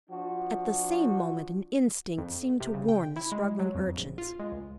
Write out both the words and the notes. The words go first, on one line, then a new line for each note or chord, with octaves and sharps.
At the same moment an instinct seemed to warn the struggling urchins.
F3 D4 F#4
F2
C3
C#3
G5
E4
G#3
F#3
F2
A#1
F4
G#3
C#2